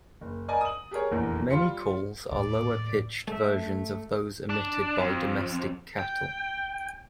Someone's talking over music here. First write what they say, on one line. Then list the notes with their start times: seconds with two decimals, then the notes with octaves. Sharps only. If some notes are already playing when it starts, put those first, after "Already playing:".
Many calls are lower-pitched versions of those emitted by domestic cattle.
0.21 F#1
0.48 A#4 D5 D#5 G#5 A#5
0.61 D#6 F#7
0.91 G4 G#4 A#4 C#5
1.11 F1 A#1 E2 A#3
1.50 G3 F4 C6 C#7
2.30 D#2 A2 D5
3.28 A3 E5
4.50 D4
4.98 F2
5.99 G5